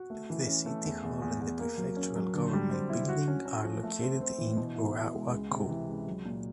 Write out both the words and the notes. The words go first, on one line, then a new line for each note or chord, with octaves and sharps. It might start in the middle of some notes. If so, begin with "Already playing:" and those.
The city hall and the prefectural government building are located in Urawa-ku.
Already playing: F#4
A3
E3
C#4
A3
E2
E2
E2
E2
A#3
F#3
C#4
F#3
D3
G3
C4
E4
F#4
C#4
C#4
F3
A3
C4
C4
E3
B2
E4
E4
G#3
C#2
C3
E3
C#2
F#3
A#2